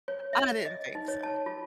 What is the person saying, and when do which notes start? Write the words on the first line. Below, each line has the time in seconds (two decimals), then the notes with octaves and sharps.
I didn't think so.
0.08 C#5
0.33 E5
0.65 D#5
0.95 D#4
1.08 C#5
1.23 A5
1.46 F4